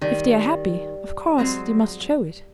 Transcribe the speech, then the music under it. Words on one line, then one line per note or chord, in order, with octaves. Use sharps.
If they are happy, of course they must show it.
D#3 G3
F#3 G#3 C4